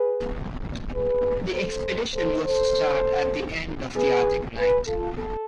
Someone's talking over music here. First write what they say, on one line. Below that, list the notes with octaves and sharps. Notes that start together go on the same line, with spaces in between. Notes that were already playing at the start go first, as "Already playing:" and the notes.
The expedition was to start at the end of the Arctic Night.
Already playing: G#4 B4
G#4 B4
A4 C5
A4 C5
A4 C5
G#4 B4
G#4 B4
F4 A4
A4